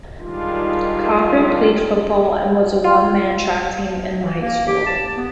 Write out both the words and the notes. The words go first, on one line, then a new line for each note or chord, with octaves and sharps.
Cochran played football and was a one-man track team in the high school.
D#3 G3 G#3 D4 F4
F4
E3
A#3
G4
A5
B3